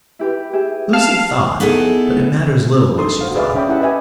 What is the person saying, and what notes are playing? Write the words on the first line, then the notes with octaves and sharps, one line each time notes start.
Lucy thought--but it matters little what she thought.
E4 G4 B4
G4 G#4 E5
F5 A5
B3 D#4 E4 G#4 A4
D4 D#4 A4 C6 D#6
F#4 C5 F5
G#4 B4 D5 E5 F5
C#4 E5 G5 B5 D6 D#6
E4 G4 E5 F#5 A5
G4 B4 D#5 E5 G#5